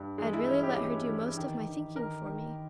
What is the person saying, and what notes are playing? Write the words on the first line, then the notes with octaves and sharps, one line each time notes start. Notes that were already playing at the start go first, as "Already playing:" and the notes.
I had really let her do most of my thinking for me.
Already playing: G2
E3 G#3
E4
E3 C#4
G4
E3 G4
E3
D#3
D#3
D#3 A#4
D#3